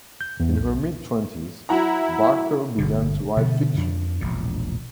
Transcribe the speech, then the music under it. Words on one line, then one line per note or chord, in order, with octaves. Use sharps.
In her mid-twenties, Barker began to write fiction.
G6
E2
B1
F#3 E4 F#5 A#5
G1 B2 D3
B2 D3 F3 B3
F2 F3 D4
E1 A#1 A2